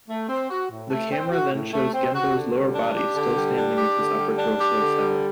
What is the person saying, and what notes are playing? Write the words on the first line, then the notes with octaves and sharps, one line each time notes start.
The camera then shows Gendo's lower body still standing with his upper torso severed.
A3
C4
F#4
A2
A3
C4
F#4
A2
A3
C4
F#4
D3
G3
D4
G4
D3
G3
D4
G4
D3
G3
D4
G4
D3
G3